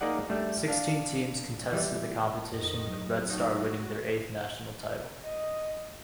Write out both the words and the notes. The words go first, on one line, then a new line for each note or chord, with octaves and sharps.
Sixteen teams contested the competition, with Red Star winning their eighth national title.
A#3 D#4 G#4 D5 F#5
G3 A3 D4
D4 F5
E3 G3
F2 D#3 D#5
F#3
C3
A3 D#4 F#4
D#5